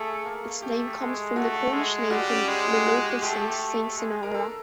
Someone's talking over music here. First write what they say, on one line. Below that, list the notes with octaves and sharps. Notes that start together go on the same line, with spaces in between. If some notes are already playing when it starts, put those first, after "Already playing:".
Its name comes from the Cornish name for the local saint, Saint Senara.
Already playing: A3 G#4 A4
A#3
A3 G4
G#3
A3 F#4
G#3
G3 F#4
C#4
G#3 G4
F#4
F#4
G4
A3 G4
G#3
A#4
A4